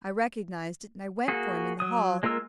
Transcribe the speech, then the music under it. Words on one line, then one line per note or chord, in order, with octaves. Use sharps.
I recognized it, and I went for him in the hall.
A#3 F#4 G#4
F#3 D#6
G#3 A#3 F4 A#4 E6